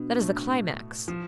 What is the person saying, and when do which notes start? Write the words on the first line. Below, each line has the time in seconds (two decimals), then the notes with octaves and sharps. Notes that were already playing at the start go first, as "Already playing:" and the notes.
That is the climax.
Already playing: B2 B3 D4 F#4
0.19 A2 A3
1.08 F3